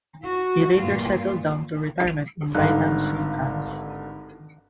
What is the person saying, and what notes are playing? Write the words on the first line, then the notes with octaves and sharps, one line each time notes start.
He later settled down to retirement in Lytham Saint Annes.
F#4
G2 A#2 F4
G#1 G2 D3 D#4 F5 F#6